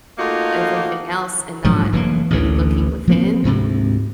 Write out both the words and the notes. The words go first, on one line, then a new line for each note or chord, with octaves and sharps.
everything else and not really looking within?
A3 A#3 D#4 F4 F#4
A#1 G#2 F3 F#3
F1 E3 F#3 A#3
A1 D2 A2 D3
F3 A#3 C4
D2 G#2 C3